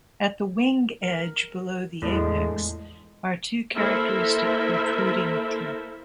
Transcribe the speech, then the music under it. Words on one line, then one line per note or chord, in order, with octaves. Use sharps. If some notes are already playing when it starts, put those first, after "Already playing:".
At the wing edge below the apex are two characteristic, protruding teeth.
A#4
E2 A2 F3 G#3 D4
A#3 E4 A4 A#4 C5 E5